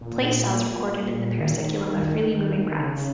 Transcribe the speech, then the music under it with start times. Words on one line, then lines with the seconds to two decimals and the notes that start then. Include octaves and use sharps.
Place cells recorded in the parasubiculum of freely moving rats.
0.01 A#2
1.40 D#3
2.79 C#3